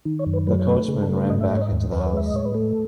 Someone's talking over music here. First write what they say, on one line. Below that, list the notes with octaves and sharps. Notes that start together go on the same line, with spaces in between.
The coachman ran back into the house.
D#3
C#5
F#2
B4
F#3 B4
C#5
A3 B4
C#3 G#4
A4
A3
B4
G#2 D#5
E5
G#2 D#5
C#5
D#5
D#2
D#2 B4
C#5
B4
G#3 E5
D#5
A2 C#5
B4
A3 A4